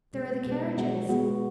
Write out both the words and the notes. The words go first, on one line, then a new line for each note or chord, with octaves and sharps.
'There are the carriages.'
B2 G#3 B3
B2 G#3 B3
G#3 B3 F#4
G#3 B3 F#4